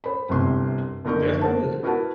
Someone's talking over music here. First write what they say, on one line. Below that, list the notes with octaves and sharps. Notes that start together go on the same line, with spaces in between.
That's good.
C5 B5
G1 C2 C3 C6
F#1 D3 D#4 A#4 C#6 G6
A#4 C5 F#5 A5
E4 F#4 A#4 B4 F#5 A5